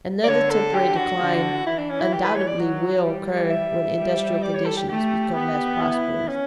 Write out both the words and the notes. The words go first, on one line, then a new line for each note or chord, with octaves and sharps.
Another temporary decline undoubtedly will occur when industrial conditions become less prosperous.
D5
D3 C#5
A4
G4
F#4
D3
E3 E4
D4
C#4
E4
G4
B4
C#5
D5
F#3
G3
E5
G3
D5
C#5
A4
G4
A3 G4
B3
E4
C#4